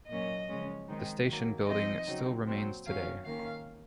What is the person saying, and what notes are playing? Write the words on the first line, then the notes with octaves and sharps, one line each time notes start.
The station building still remains today.
A#2 F#3 A#3 C#4 D#5
C#3 F3 G#3 C#4
D#3 G#3 C4 D#4
D#3 F#3 A#3
F3 C4 D#4 D#5
C#3 F#3 C4 D#4
A#2 F#3 C4
D#3 F#3 C#4 F5
D#3 A#3 C#4 F5